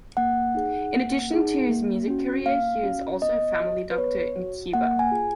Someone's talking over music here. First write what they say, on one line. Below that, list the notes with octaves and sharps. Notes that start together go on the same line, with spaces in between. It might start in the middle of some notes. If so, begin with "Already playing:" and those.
In addition to his music career, he is also a family doctor in Cuba.
A#3 F#5
D#4 G#4
A#3
D#4 G#4
A#3
C#4 F#4
A#3 F5
C#4 F#4
B3 D#5
F#4
B4
B3 C#5
F#4
A#3 F#5
G#5
F4 G#4